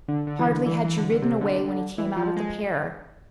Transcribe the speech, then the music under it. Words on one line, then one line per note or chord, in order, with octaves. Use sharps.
Hardly had you ridden away when he came out of the pear.
D3
D3
E3
D3
E3
E3
D3
D3
C3
D3
E3
F3
G#3